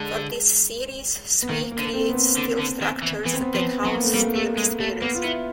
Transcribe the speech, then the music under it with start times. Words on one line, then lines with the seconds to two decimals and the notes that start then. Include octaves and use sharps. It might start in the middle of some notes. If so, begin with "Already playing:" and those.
For this series Sui creates steel structures that house steel spheres.
Already playing: D3 G#3
1.42 B3
1.49 D#3 A#3
1.71 A#3
1.79 D3
1.93 C4
2.09 B3
2.15 C4
2.37 D3
2.59 D3
2.82 D#3
3.03 E3
3.25 E3 B3
3.33 C4
3.41 B3
3.54 F3 B3
3.84 F#3 B3
3.94 A#3
4.04 A3
4.14 G3 A#3
4.36 A3
4.57 G#3
4.80 A3
5.01 A#3 B3
5.15 F4
5.24 B3 E4